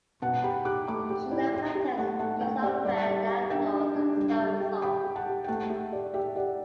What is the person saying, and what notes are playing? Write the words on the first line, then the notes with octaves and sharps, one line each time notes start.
She led protests against unfair landlords and saw results.
B2 F#5 A5
G4 G5 B5
G4 D6 F#6
A3 B5 D6
G4 E5
E4 D5
G4 E5
G4
A3 F#5 A5
A3 F#5 A5
A3 E5 G5
G4 D5 F#5
G3 D5
G3 E5
G4
D4 E5 G5
G4
D4
G3
G3
G4
G4 G5 B5
G4
F#5 A5
G4
G5
A3 F#5 A5
G4 E5
G4 D5
G4 E5
G4 D5 F#5